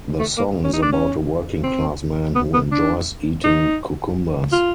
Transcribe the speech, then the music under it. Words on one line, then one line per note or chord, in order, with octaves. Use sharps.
The song is about a working-class man who enjoys eating cucumbers.
A3
A#3
C#4
D#4
D4
C#4
C4
B3
B3
D4
D#4
F4